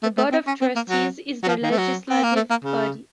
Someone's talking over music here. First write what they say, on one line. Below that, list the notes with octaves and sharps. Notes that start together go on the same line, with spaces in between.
The Board of Trustees is the legislative body.
A3
A3
C4
C#4
C4
A#3
F#3
F#3
F3
D#3
A3
F#3
C4
A#3
A3
A#3
C#3